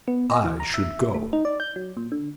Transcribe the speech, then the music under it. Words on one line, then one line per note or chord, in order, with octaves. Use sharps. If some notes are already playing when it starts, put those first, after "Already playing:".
"I should go."
B3
D#5
E3
A#5
E5
A3
D#4
D5
G6
F#3
A#2
D3